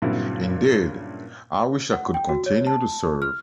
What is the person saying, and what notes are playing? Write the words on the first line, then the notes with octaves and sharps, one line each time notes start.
Indeed, I wish I could continue to serve.
G2 A#2 C#3 F#3 C4 E4
F#5
G5
F#4
C#5
A5
F6